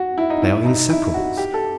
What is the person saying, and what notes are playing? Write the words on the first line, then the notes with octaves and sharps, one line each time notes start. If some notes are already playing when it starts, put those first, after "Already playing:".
They are inseparables.
Already playing: F#4
E4
D#4
E4
D#4
E4
F#4
G4
A4